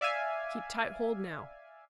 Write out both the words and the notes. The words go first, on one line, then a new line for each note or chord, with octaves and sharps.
Keep tight hold now.
D5 E5 F5 G#5